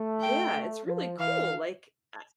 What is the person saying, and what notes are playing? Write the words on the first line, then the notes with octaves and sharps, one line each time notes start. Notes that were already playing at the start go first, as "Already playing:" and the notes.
yeah, it's really cool, like, I
Already playing: A3
G5
A3
F3
E3 F5